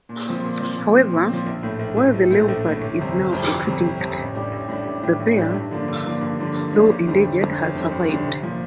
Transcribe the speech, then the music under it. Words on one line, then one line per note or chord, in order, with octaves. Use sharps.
However, while the leopard is now extinct the bear, though endangered, has survived.
A#2
F3 C4
A#2
F3 C4
A#2
F3 C4
A#2
F3 C4
A#1
A2 A3
A#1
A2 A3
A#1
A2 A3
A#1
A2 A3
G1
F2 C3 G3
G1
F2 C3 G3
G1
F2 C3 G3
G1
F2 C3 G3
A1
A2 G3 D4 G4
A1
A2 G3 D4 G4
A1
A2 G3 D4 G4
A1
A2 G3 D4 G4
G2
D3 F3 A#3 D4
G2
D3 F3 A#3 D4
G2
D3 F3 A#3 D4
G2
D3 F3 A#3 D4
G1
F2 D3 G3
G1
F2 D3 G3
G1
F2 D3 G3
G1
F2 D3 G3
C2
A#2 F3